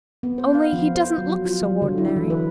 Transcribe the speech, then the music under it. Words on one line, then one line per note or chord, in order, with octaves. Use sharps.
Only he doesn't look so ordinary.
B3
C5
F5
F3
C5
F#3
F4
F#3
D3
E4
E3
B4